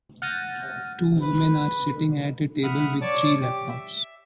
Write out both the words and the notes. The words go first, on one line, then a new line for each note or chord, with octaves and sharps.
Two women are sitting at a table with three laptops.
F#5 F6 G6 A6 A#6 D#7
B4
E5 F#5 B5 D#6 F6
C#5 D5 A5 C#6 D6
G4 D6
E5